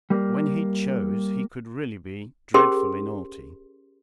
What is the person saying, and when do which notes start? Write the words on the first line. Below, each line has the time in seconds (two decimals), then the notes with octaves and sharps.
When he chose he could really be dreadfully naughty.
0.10 G3 A#3
2.54 C#4 G4 G#4 A#4 C5 C6